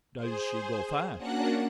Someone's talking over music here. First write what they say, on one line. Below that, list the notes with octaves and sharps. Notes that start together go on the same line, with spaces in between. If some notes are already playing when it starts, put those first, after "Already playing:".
"Does she go fast?"
G#4 C5
A#3 C#4 D4 F#4 F#5 F#6